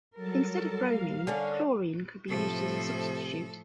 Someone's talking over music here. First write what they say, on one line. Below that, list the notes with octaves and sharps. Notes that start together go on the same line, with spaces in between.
Instead of bromine, chlorine could be a substituent.
F#3 G3 A4 A#4 A5
F5
D3 C#4 D4
A2 C3 F3 A4